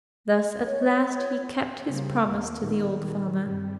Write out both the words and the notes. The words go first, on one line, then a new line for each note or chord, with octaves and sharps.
Thus at last he kept his promise to the old farmer.
C#5
F4 C#5
C#3 G3 A#3 C4
D#2 A#2 A#3
A#2 D#3 B3
D#3 G3
G2 C3 G3